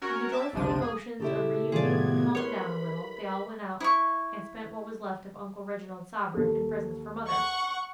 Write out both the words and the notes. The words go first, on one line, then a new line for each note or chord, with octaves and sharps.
When the joyful emotions of reunion had calmed down a little, they all went out and spent what was left of Uncle Reginald's sovereign in presents for mother.
C#4 F#4 A#4 C#5
E5 A5 D6
G1 C#2 C3 F3 D4 D#7
G#4
A#2 C#3 E4 G4 A4
A2 C3 D#3 B3 F4 G#4 D5 G#6
A#4 B4 C#5 B5 C6
E4 C#6
D#2 A4
F#5 C#6